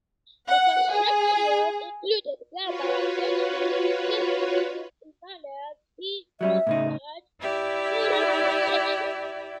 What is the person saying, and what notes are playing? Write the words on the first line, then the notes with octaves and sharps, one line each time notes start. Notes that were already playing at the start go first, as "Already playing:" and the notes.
The consortium included Gama Endustri Tesisleri Imalat ve Montaj, Nurol Construction.
F#5
G#4
F4 F#4 B4 C#5
F#3 G3 C#4 E5
A2 C#3 D#4
E4 G4 D5 E5